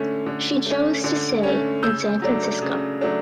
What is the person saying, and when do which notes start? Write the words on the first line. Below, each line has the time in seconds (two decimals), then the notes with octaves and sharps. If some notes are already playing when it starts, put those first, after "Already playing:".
She chose to stay in San Francisco.
Already playing: D3 A3 C#4
0.26 D3
0.66 A3 C#4
1.04 D3
1.43 A3 C#4
1.82 C#3 E6 G6
2.22 F#3 A3 D4
2.61 C#3
3.01 F#3 A3 D4